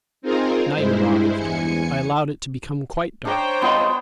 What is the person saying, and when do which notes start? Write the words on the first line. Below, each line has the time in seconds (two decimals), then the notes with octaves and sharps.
Night arrived; I allowed it to become quite dark.
0.22 C4 D#4 F4 G#4 A#4 C5
0.74 G2 G#3 E4 C5
1.37 E2 G#5 C#7
3.25 D4 C5 C#5 G5 A#5
3.62 C2 B3 F4 D#5 C6